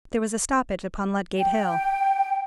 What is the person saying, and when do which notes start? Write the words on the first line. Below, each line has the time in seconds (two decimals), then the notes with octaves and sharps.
There was a stoppage upon Ludgate Hill.
1.38 G5